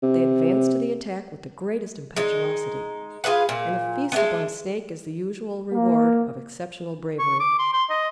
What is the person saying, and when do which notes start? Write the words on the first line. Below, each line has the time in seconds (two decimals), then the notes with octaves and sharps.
They advance to the attack with the greatest impetuosity, and a feast upon snake is the usual reward of exceptional bravery.
0.03 C3
2.16 G#3 D#4
3.24 F4 G#4 B4 F#5
3.49 A#2
4.12 G#3 A3 B3
5.73 A#3
7.19 C#6
7.40 D6
7.59 C6
7.73 C6
7.90 D#5